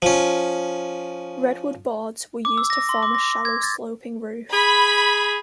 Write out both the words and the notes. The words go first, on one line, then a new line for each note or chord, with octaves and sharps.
Redwood boards were used to form a shallow sloping roof.
F3 C#4
D6
E6
A#6
C6
D6
A#6
G#6
A6
G#4 B5